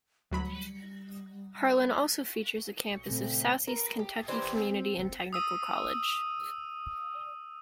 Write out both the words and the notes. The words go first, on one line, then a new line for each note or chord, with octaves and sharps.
Harlan also features a campus of Southeast Kentucky Community and Technical College.
D2 F#3 G3 B5
B1 C#6 C#7
A#2 C#3 A3 C4
A#4 B4
G4
E3 D4 G4 C5
C4
D#6 E6 D#7